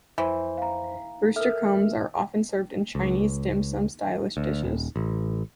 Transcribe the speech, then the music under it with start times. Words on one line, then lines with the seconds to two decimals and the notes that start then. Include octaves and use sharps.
Rooster combs are often served in Chinese dim sum style dishes.
0.18 F2 E3 C5
0.57 F5 A#5
1.36 A4 A#4 E5 F6
2.95 C#2
4.37 D2
4.63 D#1
4.96 A1